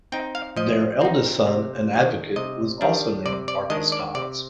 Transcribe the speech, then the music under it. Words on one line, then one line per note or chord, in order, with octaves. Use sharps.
Their eldest son, an advocate, was also named Marcus Dods.
C4 D#4 G5
F5
F3 D#5
C4 D#4
C3
D#3 G3 D4
C3 D#5
D#3 G3 D4
C3 D5
D5
D#3 G#3 D4 D#5
D5
C3 D5